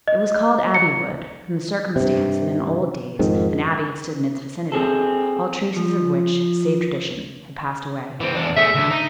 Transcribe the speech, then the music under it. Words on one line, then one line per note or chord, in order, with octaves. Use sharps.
It was called Abbey Wood, from the circumstance that in old days an abbey had stood in its vicinity, all traces of which, save tradition, had passed away.
D#5
C#7
G2 C3
F2 G#2 D#3
C4 G#4 A4
F3
E3 C4
E2 D4
A3 G#4 E5
D2 D3
D#4